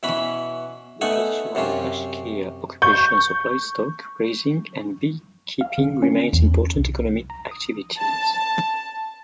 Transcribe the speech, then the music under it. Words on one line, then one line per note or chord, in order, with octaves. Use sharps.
The traditional Bashkir occupations of livestock raising and beekeeping remain important economic activities.
B2 E3 C#4 B4 B5
A3 B3 D#4 F#5 G#5
F#2 C3 C#4 F4
C#6 G6
F5
D3
C#4
E2
C2
A#5
D#6
A5